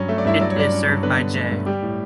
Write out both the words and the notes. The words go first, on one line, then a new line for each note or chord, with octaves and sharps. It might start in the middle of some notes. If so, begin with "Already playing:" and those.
It is served by J.
Already playing: G2 F#3 C#4
A3 E5
D5
G2 E4 E5
F#3 D5
C#5
G2 D4 D5
C#4
G2
D3 B3 B4
G2
A3
G2
G3 G4
A2